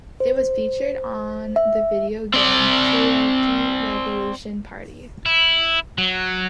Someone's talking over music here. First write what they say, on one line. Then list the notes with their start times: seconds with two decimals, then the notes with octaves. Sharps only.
It was featured on the video game "Karaoke Revolution Party".
0.20 C5
1.56 E5
2.34 C4 D5
5.26 E4
5.98 F#3